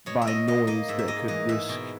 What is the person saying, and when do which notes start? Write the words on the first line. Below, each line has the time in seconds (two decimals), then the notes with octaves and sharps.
by noise that could risk
0.06 B2 C#5
0.22 E5
0.27 B2 D#5
0.47 A#3 D#5
0.67 A#3 D#5
0.88 G#2 E5
0.99 E5
1.08 A#3 D#5
1.28 E3 D#5
1.49 G#2 E5
1.69 B2